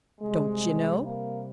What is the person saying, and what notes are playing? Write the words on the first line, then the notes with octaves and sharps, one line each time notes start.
Don't you know?
C3 G3 G#3
A#3